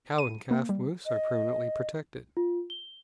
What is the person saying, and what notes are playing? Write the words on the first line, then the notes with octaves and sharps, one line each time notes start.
Cow and calf moose are permanently protected.
D#7
A#3
G3
D#5
F4
G7